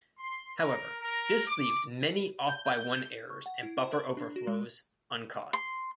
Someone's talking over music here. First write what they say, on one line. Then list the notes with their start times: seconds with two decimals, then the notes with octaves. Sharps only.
However, this leaves many off-by-one errors and buffer overflows uncaught.
0.17 C6
0.58 A#4
1.01 A#4
1.46 D6
2.48 G6
3.30 C#6
3.46 F#5
3.63 E4
3.78 C5
3.92 A#4
4.05 C#6
4.17 D4
4.36 F#4
4.47 G#3
5.53 C6